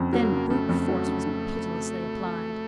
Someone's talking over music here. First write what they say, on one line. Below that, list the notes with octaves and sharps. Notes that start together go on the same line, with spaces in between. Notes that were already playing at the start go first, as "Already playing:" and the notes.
Then brute force was pitilessly applied.
Already playing: F2 C#3
F#3 A#3
C#3
C#3 A3
F2
F#3
C#3
C#3